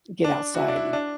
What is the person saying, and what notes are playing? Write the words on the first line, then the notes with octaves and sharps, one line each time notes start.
get outside and,
D4
F#4
E4
D4
E4
D4